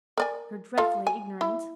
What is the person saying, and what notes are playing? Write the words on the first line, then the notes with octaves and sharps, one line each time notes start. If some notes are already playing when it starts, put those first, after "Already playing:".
"You're dreadfully ignorant."
A#4 D5 G#5
F4 A4 F5
G#5
E4